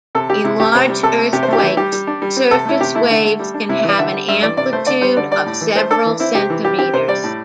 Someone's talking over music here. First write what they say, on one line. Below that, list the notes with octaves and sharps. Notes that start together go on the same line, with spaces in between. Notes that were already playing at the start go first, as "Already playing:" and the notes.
In large earthquakes, surface waves can have an amplitude of several centimeters.
C3 A4
G3 G4
C3 E4
A3 G4
C3 C5
G3
C3 A4
A3
C3 G4
C5
A3 G4
G4
E3 E4
G3 G4
G3
D4
G3
C4
C3 A4
A3 E4
C3 G4
A3 E4
D3
A3
G3
D4
C3 E4
E5
E3 D5
D3 E5
G3
G2 E5
E3 D5
C3 D5
A3 C5
D3 D5
G3 C5
D3 D5
G3 D5
A2
E3
A3 C5
D4 A4
E3
C4 E4
C3 G4
E3
G3 G4
C4 G4
C3 C5
G3 D5
A2